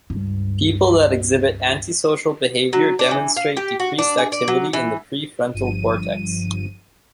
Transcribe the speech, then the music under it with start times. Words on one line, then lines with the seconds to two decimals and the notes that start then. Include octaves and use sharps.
People that exhibit antisocial behavior demonstrate decreased activity in the prefrontal cortex.
0.10 C#2 G2
2.73 F#3
2.99 D4
3.11 E3
3.37 F5
3.57 G4
3.80 F#4
3.99 D4
4.18 G#4
4.32 D5
4.48 F#3
4.73 E3
5.54 G1 G2 F3 D#7